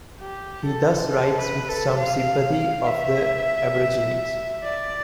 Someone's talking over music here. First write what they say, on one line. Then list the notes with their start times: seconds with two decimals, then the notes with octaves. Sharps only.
He thus writes with some sympathy of the Aborigines.
0.21 G4
0.65 A4
1.09 A4
1.39 B4
1.69 A4
1.98 F5
2.87 E5
4.64 D5